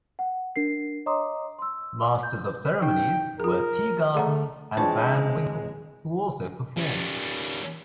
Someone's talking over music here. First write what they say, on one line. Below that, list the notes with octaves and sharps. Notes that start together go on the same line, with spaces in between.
Masters of ceremonies were Teegarden and Van Winkle, who also performed.
F#5
D4 A#4 C7
C#5 D#5 A#5 C6 D6 D#6
C6 E6
G6
D#4 G5
F4 G#4 A#4
A3 G#4 F#5 A#5
E3 G#3 C4 D4 F4 C#5 D5 A5
G3 C#4